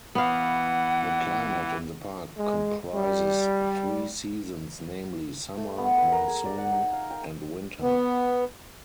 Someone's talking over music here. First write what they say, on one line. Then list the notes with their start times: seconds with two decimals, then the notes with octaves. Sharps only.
The climate in the park comprises three seasons namely, summer, monsoon, and winter.
0.15 E3 B3 F5 F#5
2.37 G#3
2.95 G3
5.57 A3
5.78 B3
5.98 B4
6.12 A#4
6.28 G#4
6.45 D5
6.58 F#5
6.71 D#4
6.93 F5
7.11 G5
7.82 B3